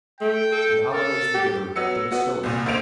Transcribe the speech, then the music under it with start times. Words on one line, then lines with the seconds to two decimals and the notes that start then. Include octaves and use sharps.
And Allah is the Giver, the Bestower!
0.21 A3 G5
0.52 A4
0.93 A4 A#4
1.34 G4
1.76 F#3 B3 E6 C#7
2.12 B3 F#4
2.43 C2 A#2
2.66 D2 A#3 C5 D7 F7